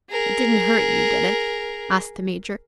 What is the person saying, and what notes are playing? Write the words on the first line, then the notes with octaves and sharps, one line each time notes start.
"It didn't hurt you, did it?" asked the Major.
G#4 A#4